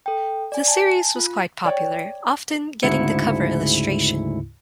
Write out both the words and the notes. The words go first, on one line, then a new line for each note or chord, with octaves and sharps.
The series was quite popular, often getting the cover illustration.
A4 G5
D5 G#5
G#5 A5
F4
C#5 D5 G5
D2 G#2 C#3 E4 C#7